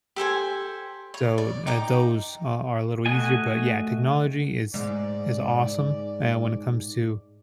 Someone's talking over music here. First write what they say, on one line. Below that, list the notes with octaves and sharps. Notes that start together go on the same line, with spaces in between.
So, eh, those are are a little easier, but, yeah, technology is is awesome and when it comes to,
G4 A4 C5 G#5
C#5
D5
D#4 G5 A#5 D6
A3 F#4 D#5 G#5
G#2 D5